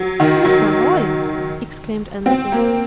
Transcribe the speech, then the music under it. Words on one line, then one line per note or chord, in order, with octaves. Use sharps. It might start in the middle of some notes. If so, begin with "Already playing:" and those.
"The Savoy!" exclaimed Annesley.
Already playing: F#3
D#3
F#3
C4
A#3